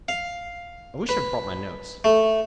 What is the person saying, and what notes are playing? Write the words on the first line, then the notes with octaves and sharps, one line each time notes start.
I wish I'd brought my notes.
F5
B4
A3